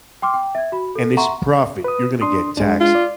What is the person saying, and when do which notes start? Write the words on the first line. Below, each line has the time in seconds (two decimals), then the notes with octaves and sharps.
and it's profit, you're going to get taxed
0.22 G5 C6 D6 F6
0.34 G5 D6
0.55 E5 G#6
0.72 F#4 B5
0.95 A4
1.17 E5 F#5 A#5 C6 C#6
1.84 B4 D#6
2.21 D4 C6 D#6
2.57 G#3 D4
2.80 F4
2.95 D5